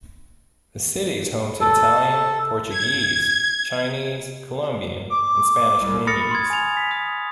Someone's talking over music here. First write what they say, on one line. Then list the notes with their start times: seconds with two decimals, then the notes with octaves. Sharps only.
The city is home to Italian, Portuguese, Chinese, Colombian and Spanish communities.
1.61 A4
2.69 G#6
5.11 D6
5.80 C2
6.07 B5 D#6 F6 A6 A#6 C#7
6.31 C6 D#6 G#6
6.50 G#5 F7
6.77 B6
6.91 D#6